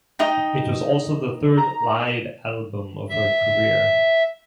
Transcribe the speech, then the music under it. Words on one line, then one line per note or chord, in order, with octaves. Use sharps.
It was also the third live album of her career.
D#4 D#5 G5
A#5
E5